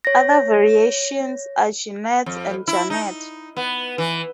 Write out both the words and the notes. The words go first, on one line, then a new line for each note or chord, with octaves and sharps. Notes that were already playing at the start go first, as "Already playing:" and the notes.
Other variations are Janette and Janet.
C#5 A#6
F2
E4
D#4
B3
E3